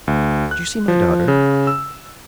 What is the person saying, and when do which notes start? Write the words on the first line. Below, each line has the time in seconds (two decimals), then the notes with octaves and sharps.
"Did you see my daughter?"
0.07 D2
0.51 F#6
0.88 F3
1.28 C#3
1.67 E6